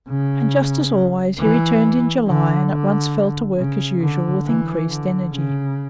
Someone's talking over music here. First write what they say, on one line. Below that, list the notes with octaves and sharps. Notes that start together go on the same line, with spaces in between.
And just as always he returned in July and at once fell to work as usual with increased energy.
C#3
E3
D3
D3
C#3
D3
E3
D3
C#3